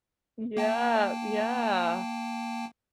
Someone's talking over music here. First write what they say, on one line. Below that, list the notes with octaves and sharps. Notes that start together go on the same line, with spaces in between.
Yeah, yeah.
A#3 G5 A5